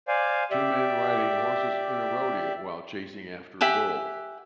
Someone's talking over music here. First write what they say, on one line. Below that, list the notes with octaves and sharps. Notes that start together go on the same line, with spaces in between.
Two men riding horses in a rodeo while chasing after a bull.
C5 D5 F5 G#5
G4 D5 E5
G4 E5 F#5 G#5